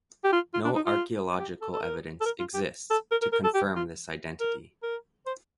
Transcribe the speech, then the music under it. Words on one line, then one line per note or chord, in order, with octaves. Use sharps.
No archaeological evidence exists to confirm this identity.
G4
F4
F4
D4
D#4
F4
G4
A4
A4
A#4
A4
A#4
F4
G4
A4
A#4
A#4
A#4
A4
G4
F4
A#4
A#4
C5